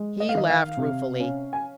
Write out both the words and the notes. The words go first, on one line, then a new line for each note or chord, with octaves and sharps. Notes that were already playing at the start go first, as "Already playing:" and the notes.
He laughed ruefully.
Already playing: G#3
D#5
F5
D#3 D#5
F5
C3
C#4
G#5